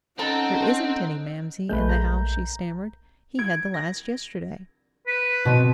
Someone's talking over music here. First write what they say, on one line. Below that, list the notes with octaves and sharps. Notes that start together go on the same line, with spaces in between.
"There isn't any, mamsie, in the house," she stammered; "he had the last yesterday."
C4 C#4 D#4 A4 F#5 A5 A#5
A#1 G#3 A3 B4 G6
A#5
G#6 D7
A#6
B4
B2 C4